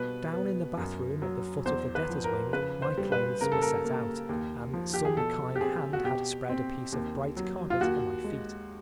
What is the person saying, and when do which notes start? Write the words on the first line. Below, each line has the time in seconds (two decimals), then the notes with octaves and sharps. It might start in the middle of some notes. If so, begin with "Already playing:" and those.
Down in the bathroom at the foot of the debtors' wing my clothes were set out, and some kind hand had spread a piece of bright carpet for my feet.
Already playing: B2 G3 B4
0.33 B3
0.77 F#2
1.22 F#3
1.65 E2 C5
1.95 B4
2.09 F3
2.24 A#4
2.53 C#3 B4
2.82 C5
2.98 G3
3.12 B4
3.41 C#3 A#4
3.52 A4
3.62 A#4
3.85 A#3
4.29 D#2
4.73 F3
4.94 G4
5.05 G#4
5.17 B2 A4
5.56 G4
5.60 C4 G#4
5.93 F#4
6.04 B2 G4
6.49 C4
6.92 D#2
7.37 F#3
7.70 F4
7.81 D#2 F#4
8.24 G#3